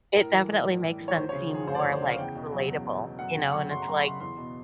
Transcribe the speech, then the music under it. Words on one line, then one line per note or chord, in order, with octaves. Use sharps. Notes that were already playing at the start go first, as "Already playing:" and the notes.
it definitely makes them seem more, like, relatable, you know, and it's like,
A2 A#4
E3
G3
A2
A2
E3
C#5
D2 C5
C#3 C#5
F3 G#4
D2 C5
D5
D2 C#5
C5
C#3 F5
E2 G5
B2
F#3
E2
E2
B2
F#2 F#5
C#3 G5
F#3 C#6
F#2 C6
A#5
F#2
B5
C#3 C6
E2 C6
B2